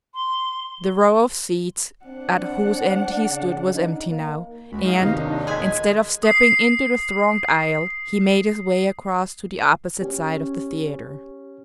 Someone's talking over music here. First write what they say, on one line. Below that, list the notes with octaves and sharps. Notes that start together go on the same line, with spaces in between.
The row of seats at whose end he stood was empty now, and, instead of stepping into the thronged aisle, he made his way across to the opposite side of the theatre.
C6
C4 D4 F#5
C#3
D#4
A#3
C#2 G#3 F#4 B5
D#4 F#4 G#4 F5
D#2 C3 A#3 B3 D#5 F5
D#3 F#3 D4
D1 G#3 G#5 D#6 G#6 B6
D#6 C7
C#4 G4